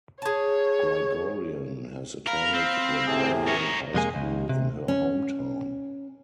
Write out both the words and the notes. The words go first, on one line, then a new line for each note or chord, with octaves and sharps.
Grigorian has attended the Glendale High School in her hometown.
G#4 C#5 A5
A#4 F5 B5
C4
A2 C3 G#4
A#4 C#5
F2 C3 G#3 A#3 G#5
C#2
C3
C#4